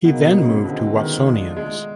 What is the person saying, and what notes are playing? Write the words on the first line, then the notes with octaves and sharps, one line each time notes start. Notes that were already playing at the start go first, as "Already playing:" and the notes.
He then moved to Watsonians.
B2 F#3 A#3 D#4 G#4
C3
C#3
D3 E3 G#3 C4
D#3
G#3 A3 D4 F4
G#3